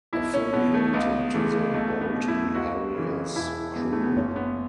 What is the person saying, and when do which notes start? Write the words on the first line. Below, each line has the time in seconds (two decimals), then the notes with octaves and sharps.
Affiliated to the Bolton Harriers crew.
0.13 B1 E4
0.33 C#4
0.53 B2 B3
0.74 A3
0.93 C#2 B3
1.34 C#3 E3 A3
1.74 B1 A3
2.01 B3
2.14 B2
2.28 E4
2.55 C#2 F#4
2.94 C#3 E3
3.36 E1 E4
3.76 E2 E3
3.92 A3
4.04 B3
4.16 F#1 C#4
4.36 B3